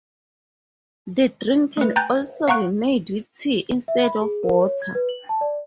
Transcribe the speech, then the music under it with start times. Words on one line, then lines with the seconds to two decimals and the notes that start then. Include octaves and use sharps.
The drink can also be made with tea instead of water.
1.77 A3 B4
1.96 G5 G#5 A#5 F#6 G6 A6
2.48 F5 F#5 A#5 C#6 F#6 D7
3.88 E5
4.03 B5
4.22 G#4
4.43 A#4
4.61 C#5
4.82 G#6
4.95 B4
5.09 F#7
5.29 A5
5.41 D5